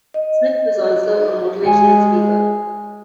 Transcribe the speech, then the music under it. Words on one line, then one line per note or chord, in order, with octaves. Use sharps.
Smith was also a motivational speaker.
D#5
G#3 G#5 C#7